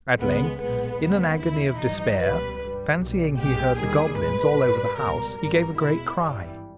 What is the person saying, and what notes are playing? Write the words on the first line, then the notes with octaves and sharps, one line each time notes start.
At length in an agony of despair, fancying he heard the goblins all over the house, he gave a great cry.
C#2 C#3 G#3 B3
B1 A#2 G#3 B3
D#2 C#3 G#3
D#2 C#3 E3 E4
A#1 G#2 E3 G3 D#4
C#2 B2 G3 B4
G2 G3
B1 A#2 G3
B1 B2 G#3 G4
D#2 D#3 G3 G#4
B1 A#2 G#3 B4
G2 G3
C#2 B2 G3 A#4
G#1 G2 G3 A#4
E2 B2 G#3 E4
G#1 G2 E3 G3